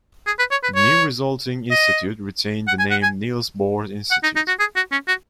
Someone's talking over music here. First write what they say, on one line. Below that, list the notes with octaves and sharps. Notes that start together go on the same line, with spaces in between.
The new resulting institute retained the name Niels Bohr Institute.
G#4
B4
C#5
B4
C#5
D#5
F#5
G#5
F#5
G#5
F#5
D#4
D#4
F#4
G#4
F#4
C#4
F#4